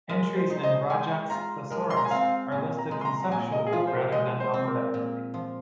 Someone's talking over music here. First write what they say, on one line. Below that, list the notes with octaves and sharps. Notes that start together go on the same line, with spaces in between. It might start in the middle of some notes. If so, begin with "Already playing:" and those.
Entries in "Roget's Thesaurus" are listed conceptually rather than alphabetically.
G#3 A#4
C5
D#4
C5
D#5
G#3 G#5
F4 A#5
G#3 A#4
C6
A#5
G#5
C4 F5
A#2 G#5
A#5
G#3
C6
A#5
A#5
A#2 G#5
D#5
G#4
F3 F4
C5
A#4
G#3 D#5
C5
C4
A#4
A#2
F3